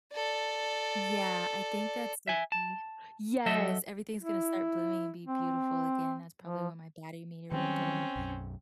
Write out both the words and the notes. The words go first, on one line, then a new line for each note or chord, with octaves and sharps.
Yeah. I think that's definitely Yes, everything's gonna start blooming and be beautiful again, that's probably when my baddie meter will go up.
A4 D5
E5 G#5
A5
F#3 A4 D#5 E5
E4
C4
F3
D#3 F#3 G3 C4 C#4
B1 F#2